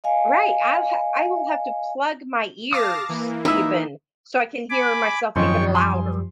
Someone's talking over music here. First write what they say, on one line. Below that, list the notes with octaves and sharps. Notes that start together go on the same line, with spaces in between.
Right, I'll ha I will have to plug my ears even, so I can hear myself even louder
D#5 F5 G#5
F5 A5 D6 D#6 A#6
E3 A#3
D#4 E4 E5
G#5 B5 D6
G#1 F#2 F3 D#4 C#5 G5 C6 C#6
G3 G#5 C6 D#6